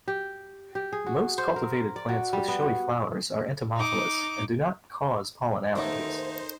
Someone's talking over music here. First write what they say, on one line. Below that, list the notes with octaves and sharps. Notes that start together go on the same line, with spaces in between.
Most cultivated plants with showy flowers are entomophilous and do not cause pollen allergies.
G4
G4
G#4
F#4
C5
A#4
D5
F#4
G3
B3
F#4
D#4 D6
D#2 A3 B3 C#4 D#4 A4 A#4 C5